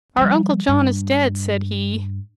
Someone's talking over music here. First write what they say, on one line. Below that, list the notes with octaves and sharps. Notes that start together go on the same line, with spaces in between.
"Our uncle John is dead," said he.
F3 G3
G2